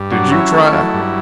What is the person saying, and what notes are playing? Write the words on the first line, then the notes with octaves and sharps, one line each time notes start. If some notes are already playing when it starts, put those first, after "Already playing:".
Did you try?'
Already playing: G2
F#3 D4
C#4 E4
A3
F#3
G2